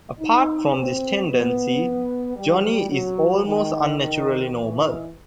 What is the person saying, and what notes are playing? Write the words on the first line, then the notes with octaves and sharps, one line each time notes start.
Apart from this tendency Johnny is almost unnaturally normal.
D#4
C4
B3
G3
F#3
D#3
D#3
E3